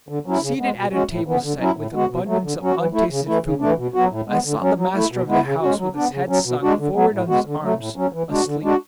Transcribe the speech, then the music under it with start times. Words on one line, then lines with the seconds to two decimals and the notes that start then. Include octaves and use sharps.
Seated at a table set with abundance of untasted food, I saw the master of the house with his head sunk forward on his arms, asleep.
0.09 D3
0.26 F#3 C#4 E4
0.43 C#3
0.59 G#3 B3
0.76 B2
0.93 G#3 C#4 F#4
1.10 A2
1.27 E3 B3
1.43 D3
1.60 F#3 C#4 E4
1.77 A2
1.93 G#3 B3 F#4
2.10 B2
2.27 F#3 A3
2.44 D3
2.60 F#3 C#4 F#4
2.77 E3
2.93 A3 E4
3.10 C#3
3.27 E3 A3 E4
3.44 C#3
3.61 E3 A3 D4
3.77 B2
3.94 F#3 B3 F#4
4.11 A2
4.28 G#3 B3
4.44 D3
4.61 F#3 C#4
4.78 F#3
4.94 A3 E4
5.12 B2
5.28 G#3 B3 E4
5.45 C#3
5.61 G#3 C#4 F#4
5.78 F#3
5.95 B3 D4
6.12 C#3
6.29 F#3 C#4
6.45 B2
6.62 G#3 D4 F#4
6.78 D3
6.95 F#3 B3
7.12 A2
7.29 G#3 B3 F#4
7.45 D3
7.62 F#3 A3
7.79 A2
7.96 F#3 C#4
8.13 E3
8.30 G#3 D4 F#4
8.46 D3
8.62 G#3 D4 F#4